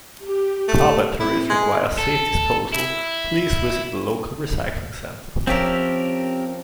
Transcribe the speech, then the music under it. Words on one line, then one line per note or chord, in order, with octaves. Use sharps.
Car batteries require safe disposal, please visit the local recycling center.
G4
A3
B3 C4 E4
G#3 D#4
A4
E4
F3 C4 C#4 G4 A#4 E5